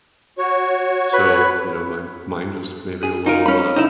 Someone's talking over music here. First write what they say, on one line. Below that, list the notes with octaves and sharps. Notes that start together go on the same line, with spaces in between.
so, you know, my mind was maybe a little, uh,
F#4 C#5 C#6
B4 B5
G#4
D#4 F4 A#4
C#4 B5
D#4 E4